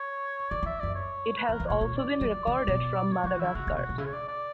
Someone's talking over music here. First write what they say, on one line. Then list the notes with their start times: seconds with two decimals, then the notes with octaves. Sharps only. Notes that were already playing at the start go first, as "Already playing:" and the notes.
It has also been recorded from Madagascar.
Already playing: C#5
0.51 D3 D5
0.63 E3
0.66 E5
0.80 F#2 D5
0.95 C#5
1.38 B4
1.49 E2
1.52 A#4
1.60 E2
1.67 A#2 C#5
1.81 A#2 C#5
1.96 D5
2.10 D5
2.21 G3
2.25 F#3
2.47 C#3
2.68 B2
3.12 C#5
3.24 F#3 F#4
3.35 E3
3.40 D3 E4
3.55 C#3 F#4
3.67 C#3
3.76 B2 F#4
3.89 B2
3.98 C#3 E4
4.06 C#5
4.13 D5
4.28 D5